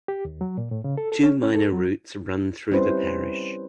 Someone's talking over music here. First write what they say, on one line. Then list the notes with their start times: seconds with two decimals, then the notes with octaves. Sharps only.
Two minor routes run through the parish.
0.08 G4
0.25 D#2
0.41 F#3
0.58 A#2
0.71 A2
0.84 C#3
0.97 A4
1.12 A4
1.23 C#4
1.43 C#4
1.55 A4
1.72 F#3
2.71 G3 C4 C#4 E4 B4 C5